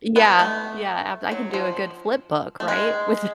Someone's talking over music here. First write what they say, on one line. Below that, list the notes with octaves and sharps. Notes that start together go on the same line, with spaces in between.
N yeah, yeah. ab I can do a good flipbook, right, with
B3
A3
F#3
F3
A3
G#3